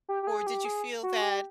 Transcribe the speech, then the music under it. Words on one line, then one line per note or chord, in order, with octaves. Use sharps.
Or did you feel that
G4
G4
G#4
G4
G#4
F#4
G4